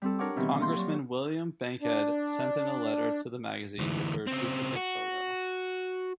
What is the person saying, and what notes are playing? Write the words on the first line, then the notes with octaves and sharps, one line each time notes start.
Congressman William Bankhead sent in a letter to the magazine with her duplicate photo.
G3 C4 A4
D4 A#4 C#5 F#5 D6
B2 D#3 E3 C4 G4
A#3 F4 C6 G6
F#3 D5 C#6
D4
D2 E3
C#3 C4
F#4